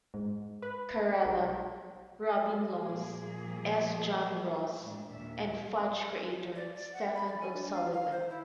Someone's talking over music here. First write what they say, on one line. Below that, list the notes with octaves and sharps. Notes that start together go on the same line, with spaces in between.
Carella, Robin Laws, S. John Ross, and "Fudge" creator Steffan O'Sullivan.
G#2
B4
B1
A#2 F3 G3 A3 A#3 G#4
A2 G#3 D4
D#2 A#2 E5
D5
D5
F#5
B5
D5
G#5
D4
F5
F5
C5
E4